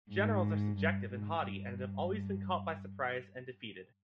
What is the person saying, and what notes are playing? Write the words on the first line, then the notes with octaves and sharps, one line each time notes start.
Generals are subjective and haughty, and have always been caught by surprise and defeated.
G#2
G2
G#2
G2